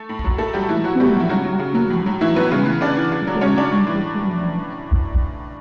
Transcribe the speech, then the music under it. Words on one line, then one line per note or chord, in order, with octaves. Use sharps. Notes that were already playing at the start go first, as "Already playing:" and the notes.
The Kingdom of England was once again independent.
Already playing: A3 A4
A2
F#3
A2 A3 A4
F#3 G3 G4
A2 E3 E4
E3 F#3 F#4
A2 G3 G4
E3 E4
C#3 F#3 F#4
F#3
C#3
F#3
A2
F#3
A2 E3 E4
F#3 B3 B4
C#3
E3
C#3 D4 D5
E3
C#3
F#3
C#3 C#4 C#5
F#3 D4 D5
A2
E3